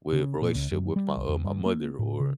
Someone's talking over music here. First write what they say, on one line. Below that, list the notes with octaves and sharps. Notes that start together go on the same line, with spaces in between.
with relationship with my, uh, my mother or
C#3
A#2
C#2
F#2
G3
C2
E2
G2
A#3
A2
C#3